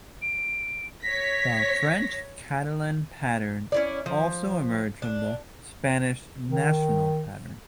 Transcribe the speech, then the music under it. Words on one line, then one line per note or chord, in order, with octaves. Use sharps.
The French Catalan pattern also emerged from the Spanish National pattern.
D7
C#5 A#6 B6
C#4 E4 D5
F3
D4
D#3